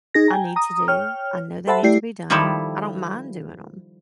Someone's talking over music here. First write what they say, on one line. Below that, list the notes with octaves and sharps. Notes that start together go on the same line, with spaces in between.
I need to do, I know they need to be done, I don't mind doing 'em,
D#4 G#4 A#6
G5 G#5 A#5
A#5 D#6
C#5 G5 F6
A4 C5 E5 F#5 A5 B5
A3 E4 G4 D5 C7
D#3 F3 G3 E4 A4